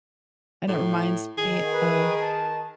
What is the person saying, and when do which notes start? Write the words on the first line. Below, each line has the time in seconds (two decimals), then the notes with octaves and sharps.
and it reminds me of,
0.68 A2
1.38 D#3 G#4
1.73 B4
2.22 A5